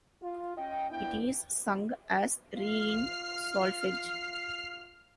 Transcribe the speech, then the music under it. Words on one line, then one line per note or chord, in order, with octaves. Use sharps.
It is sung as re in solfege.
F4
C#4 D#5 G5
B3 D4 E4 G5
F4 F6 C7